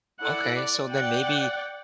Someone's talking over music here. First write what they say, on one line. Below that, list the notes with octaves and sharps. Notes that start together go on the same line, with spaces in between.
Okay so, then maybe
E4 A4 D5 F#5
D5
D5 F#5 G5